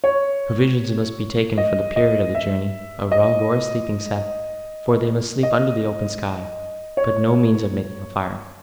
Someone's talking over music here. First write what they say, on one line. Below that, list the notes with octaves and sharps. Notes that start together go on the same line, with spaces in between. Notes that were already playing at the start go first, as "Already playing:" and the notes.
Provisions must be taken for the period of the journey, a rug or sleeping sack--for they must sleep under the open sky--but no means of making a fire.
C#5
D#5
D#5
E5
D#5
D#5
C#5